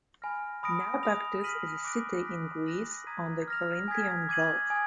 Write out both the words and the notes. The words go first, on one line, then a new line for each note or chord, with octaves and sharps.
Naupactus is a city in Greece on the Corinthian Gulf.
G#5 B5 F6 A#6
B5 D#6 A#6 D7
D#6 A#6 F7
F6 B6 D#7 F#7
D6 F#6 A#6 D7
F#6 B6 D7
F#6 A#6 D#7 F#7
A#5 D#6 G#6 B6 D#7
F6 A#6 F7
G#5 D#6 G#6 B6
D6 G#6 D#7 F#7
G#5 D#6 G#6